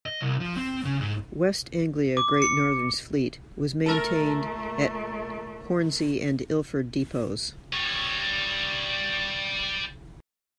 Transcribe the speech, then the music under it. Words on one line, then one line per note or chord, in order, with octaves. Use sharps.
West Anglia Great Northern's fleet was maintained at Hornsey and Ilford depots.
D#5
C2
F3
C4
C#3
G#2
D6
C#7
A#2 A3 A4 A#4
G3 C#5